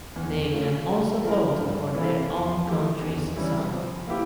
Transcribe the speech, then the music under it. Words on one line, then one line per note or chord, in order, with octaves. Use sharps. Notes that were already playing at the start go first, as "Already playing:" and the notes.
They can also vote for their own country’s song.
E2
D3 A3 C#4 F4
C#3
F3 A3 E4 A#4
G2
E3 A#3 E4 A4
E2
E3 A3 E4 G4
E2
E3 G3 C#4 E4
F3
A#3 E4 G4